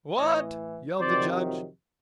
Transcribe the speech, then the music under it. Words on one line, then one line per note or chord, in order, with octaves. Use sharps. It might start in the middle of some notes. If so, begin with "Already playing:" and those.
"What!" yelled the Judge.
A2 E3 C#5 D#5
F2 C3 D#3 F#3 C5 D5